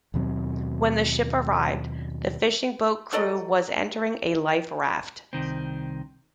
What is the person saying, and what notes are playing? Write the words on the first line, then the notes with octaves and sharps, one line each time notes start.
When the ship arrived, the fishing boat crew was entering a life raft.
D#2 B2 F#3 C4
F#3 A4 D5 D#5
C2 D#3 C4